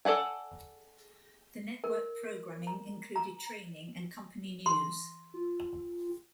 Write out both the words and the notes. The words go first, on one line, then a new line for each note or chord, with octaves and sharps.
The network programming included training and company news.
A4 D5 F#5 G#5
A#4
A#5
A#5
C6
F4